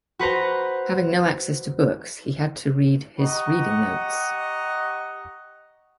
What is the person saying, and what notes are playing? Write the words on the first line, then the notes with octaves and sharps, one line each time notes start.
Having no access to books, he had to read his reading notes.
F#4 B4 C5 A#5
G4 D#5 F#5 A#5 C#6